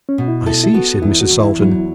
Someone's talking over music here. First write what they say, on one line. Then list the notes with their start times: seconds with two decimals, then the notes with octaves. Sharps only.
"I see!" said Mrs. Salton.
0.09 C#4
0.18 B2
0.28 E4
0.46 E4 A4
0.64 E4
0.74 B3 F#4
1.02 E2 E4
1.21 F#4
1.30 E2
1.40 E4
1.59 F#3